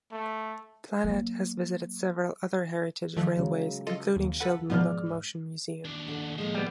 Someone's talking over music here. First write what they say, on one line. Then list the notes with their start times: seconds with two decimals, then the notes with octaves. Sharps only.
"Planet" has visited several other Heritage railways including Shildon Locomotion Museum.
0.12 A3
1.04 F#3 A#3
3.16 D#3 F3 A3
3.36 C#3 F#3 G#3
3.87 F4 A4 D#5
4.16 D#2
4.40 A4 B4 F#5
4.70 G#2 B2 F3 B3 D5 F6
5.85 D#2 D4
6.08 D3
6.38 A2 F3 G#3 A#3
6.55 G3 B3